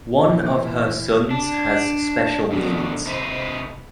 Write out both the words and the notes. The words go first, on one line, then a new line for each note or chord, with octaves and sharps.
One of her sons has special needs.
A#2 E3 E4
D4
F#2 B2 D3 D#3
C3 D#4 B4 C5